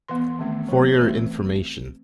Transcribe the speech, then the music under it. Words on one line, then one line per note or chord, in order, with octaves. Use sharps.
For your information.
E3 B3 C6
D#3 A3 C4
F#3 B3
E3 A3 C4